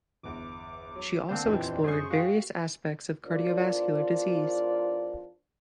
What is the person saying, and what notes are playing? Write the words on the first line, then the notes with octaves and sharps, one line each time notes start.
She also explored various aspects of cardiovascular disease.
G1 E2 D6
F#3
D3 A#3 C4 D4 C5 G5
D#1 F2 E3
F#2 G#4 C5 C#6 C7
F#4 F5 G5
E2 D4 F4 A#4 C5 D5